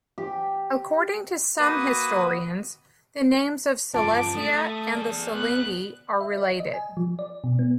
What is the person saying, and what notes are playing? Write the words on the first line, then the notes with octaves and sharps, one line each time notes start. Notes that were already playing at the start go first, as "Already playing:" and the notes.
According to some historians, the names of Silesia and the Silingi are related.
G4
A#3 F#4 B4 D#6
G2 F3 A5 D6
A3 D#6
G#4 D5
B3 F#6
E5
D5
D#5
G#5
F3
D5
B2
B3